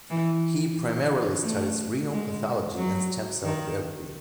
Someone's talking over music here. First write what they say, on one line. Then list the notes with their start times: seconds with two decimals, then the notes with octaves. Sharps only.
He primarily studies renal pathology and stem cell therapy.
0.10 E3
1.44 A3
2.11 G#3
2.78 F#3
3.44 D#3